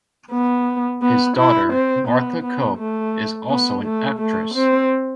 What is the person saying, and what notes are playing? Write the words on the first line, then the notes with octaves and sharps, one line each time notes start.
His daughter Martha Cope is also an actress.
B3
B3
E4
C4
B3
B3
A3
B3
A3
A3
C4